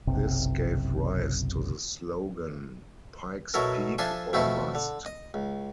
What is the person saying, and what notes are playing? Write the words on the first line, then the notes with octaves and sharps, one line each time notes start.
This gave rise to the slogan, Pike's Peak or Bust.
F#1 B1 C3
B2 F#3 E4 A4 A#4
F3 D4 A4 E5 G#5 C6
B2 F3 A3 B3 C4 E4
D3
D#5
C#2